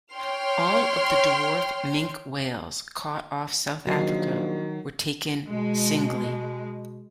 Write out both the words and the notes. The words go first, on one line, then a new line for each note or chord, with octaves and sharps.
All of the dwarf minke whales caught off South Africa were taken singly.
C#5 G5 C6 F6
A#1 D#3 F#3 F#4 D#5 C7
B2 G#3